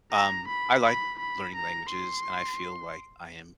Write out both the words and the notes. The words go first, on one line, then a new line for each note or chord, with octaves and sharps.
um, I like learning languages, and I feel like I am
A#5
B5
B5
B5
A#5
C6